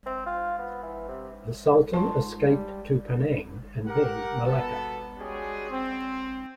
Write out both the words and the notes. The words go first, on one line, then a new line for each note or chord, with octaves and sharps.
The Sultan escaped to Penang and then Malacca.
C4
F4
B3
E3
C3
G#2 F4 A5 C6
G3
G4 A#4 F#5
B2 B3 A4
G3 G#3 C#4 F#4 G#4
C4